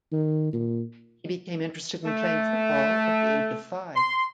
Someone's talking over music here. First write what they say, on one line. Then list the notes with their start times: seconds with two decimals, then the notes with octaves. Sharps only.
He became interested in playing football at the age of five.
0.12 D#3
0.53 A#2
2.04 A3
3.96 C6